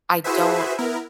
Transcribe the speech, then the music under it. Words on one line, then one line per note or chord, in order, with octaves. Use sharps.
I don't
E4 F#4 G#4 B4 C5 E5
B3 E4 A#4